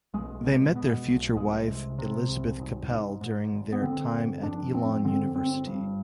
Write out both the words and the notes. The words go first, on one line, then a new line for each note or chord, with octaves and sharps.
They met their future wife Elizabeth Capel during their time at Elon University.
B1 G#3
B2
B2
B1
C2 G#3
C3
C3
C2
G#1
G#2
G#2
G#1
B3
D3 C4
G1
F2 D4
G1 C4
D3 C4
G1 C4
G2